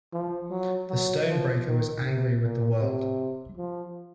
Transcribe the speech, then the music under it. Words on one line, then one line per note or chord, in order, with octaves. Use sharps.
The stone-breaker was angry with the world.
F3
F#3
F#3
F3
D#3
C3
A#2
C3
F3